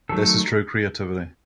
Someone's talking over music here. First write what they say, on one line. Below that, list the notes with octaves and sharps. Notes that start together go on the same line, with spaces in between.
This is true creativity.
D#3 F#3 A3 A4